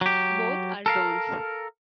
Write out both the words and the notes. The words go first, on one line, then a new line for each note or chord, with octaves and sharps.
Both are zones.
F#3 G4
A4 A#4 F5